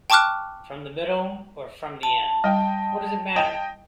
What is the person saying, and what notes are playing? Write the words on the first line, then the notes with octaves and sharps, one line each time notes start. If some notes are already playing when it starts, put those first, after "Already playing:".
From the middle or from the end — what does it matter?
G5 A5 C#6 D6 F6 F#6
A5
G3 D#5 G5
D#5 G5